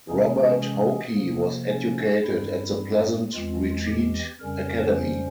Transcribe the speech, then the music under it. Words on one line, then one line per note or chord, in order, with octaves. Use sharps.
Robert Hoke was educated at the Pleasant Retreat Academy.
C3 E3 G#3 C#4 G#4
G#4
C3 F3 A#3
C#4
G2 G3 C4 E4
E2 E3 G#3 C4 F4
G4
F2 C#3 G3 C#4 A#4
C5